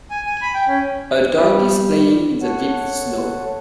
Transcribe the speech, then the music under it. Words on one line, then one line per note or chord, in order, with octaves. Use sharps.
A dog is playing in the deep snow.
G#5
G#5
B5
G5
C#4
G3
A4 C#5 F#5